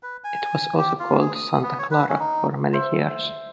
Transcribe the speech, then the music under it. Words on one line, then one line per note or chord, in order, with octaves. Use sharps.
It was also called Santa Clara for many years.
B4
G#5
G4
F4
G#4
D#6
B3
C#5
B4
C#4
D#4
C5 E5